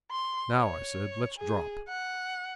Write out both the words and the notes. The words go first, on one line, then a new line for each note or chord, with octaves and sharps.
"Now," I said, "let's drop."
C6
C#5
G#4
F#5